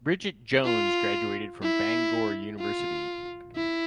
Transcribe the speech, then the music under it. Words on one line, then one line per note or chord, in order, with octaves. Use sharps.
Bridget Jones graduated from Bangor University.
F4
E4
F4
E4